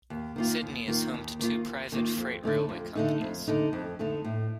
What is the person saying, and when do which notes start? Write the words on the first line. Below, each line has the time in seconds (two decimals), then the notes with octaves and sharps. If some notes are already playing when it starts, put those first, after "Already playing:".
Sydney is home to two private freight railway companies.
0.10 D#2
0.36 D#3 A#3 F4
0.62 D#2
0.88 D#3 A#3 F4
1.14 D#2
1.39 D#3 A#3 F4
1.66 D#2
1.92 D#3 A#3 F4
2.17 F2
2.43 D3 A3 D#4
2.69 F2
2.95 D3 A3 D#4
3.21 F2
3.48 D3 A3 D#4
3.73 F2
3.99 D3 A3 D#4
4.24 A2